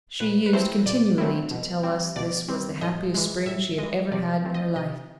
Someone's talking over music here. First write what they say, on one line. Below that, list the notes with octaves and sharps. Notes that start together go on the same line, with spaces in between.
She used continually to tell us this was the happiest spring she had ever had in her life.
A#2 B4
B4
F#3 A3 C4 E4 C5
A#2 D5
F#3 A3 C4 E4
B2
G3 C4
B2 D5
G3 C4
A2 D#5
E3 G#3
A2 E5
E3 G#3 D#5
C3 D5
E3 A3 C4
D#5
C3 D#5